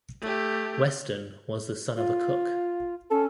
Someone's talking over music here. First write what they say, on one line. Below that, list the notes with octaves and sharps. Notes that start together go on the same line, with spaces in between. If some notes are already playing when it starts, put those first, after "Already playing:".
Weston was the son of a cook.
A3 G4
F4
C#4 A4